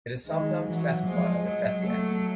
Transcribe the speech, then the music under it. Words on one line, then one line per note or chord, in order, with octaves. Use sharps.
It is sometimes classified as a fatty acid.
D#3 G#3
E3 F#3
F3 G#3
F#3
A3